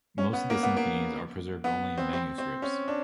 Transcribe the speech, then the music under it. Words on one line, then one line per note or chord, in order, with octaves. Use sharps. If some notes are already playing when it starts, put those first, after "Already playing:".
Most of the symphonies are preserved only in manuscripts.
C#4
B3
A#3
B3
A#3
B3
C4
C4
C4
C#4
D4